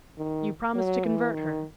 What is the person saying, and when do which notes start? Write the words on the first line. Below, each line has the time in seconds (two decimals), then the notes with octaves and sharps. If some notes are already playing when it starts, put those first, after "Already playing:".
"You promise to convert her?"
0.18 D#3
0.75 F#3
1.05 E3
1.33 D#3